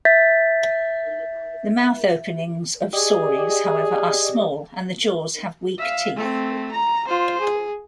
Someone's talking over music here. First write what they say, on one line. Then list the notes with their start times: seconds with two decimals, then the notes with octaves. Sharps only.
The mouth openings of sauries, however, are small and the jaws have weak teeth.
0.05 E5 G6 A6 B6
2.93 G4 G#4 D5 D#5
5.78 E5 F5
6.16 A3 C4
6.72 A#5
7.08 F4 C5
7.41 G#4